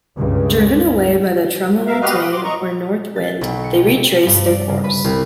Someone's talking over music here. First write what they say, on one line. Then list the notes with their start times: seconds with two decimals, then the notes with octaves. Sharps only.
Driven away by the "Tramontane" or north wind, they retraced their course.
0.15 C#2 G2 C#3
1.73 A#2
1.86 A#4 E5 F5
2.02 F#4 G4 B4 D#5 F5 F6
2.18 D#6
2.32 C6 D6
2.44 D#5 A#5 C#6
3.16 A6
3.41 B1
3.64 C#7
3.87 C3
4.09 C7
4.26 G2
4.46 D5
4.69 C#3
4.84 B4
5.04 C2